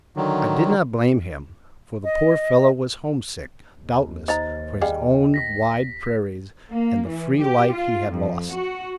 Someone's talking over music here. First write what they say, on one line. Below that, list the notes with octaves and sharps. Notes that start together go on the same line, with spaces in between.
I did not blame him, for the poor fellow was homesick, doubtless, for his own wide prairies and the free life he had lost.
D3 D#3 F#3
D#5
D#2
D#4 C5 D#5 A#5 A6
G3 G#4 D#5 F5 G5
A#6 B6
A#3
E3
G4
F4
F2
F#4